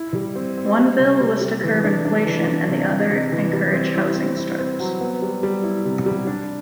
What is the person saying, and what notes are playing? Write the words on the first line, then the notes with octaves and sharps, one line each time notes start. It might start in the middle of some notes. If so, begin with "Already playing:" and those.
One bill was to curb inflation and the other encourage housing starts.
Already playing: E4
G3
C4
C4
G3
C3
G3
G3
E3
D4
D4
E3
D4
C3
C3
C3
E3
G3
C4
E4
C4
E4
C4
F#3
B3
G3
G3
E4
C3
G3
D4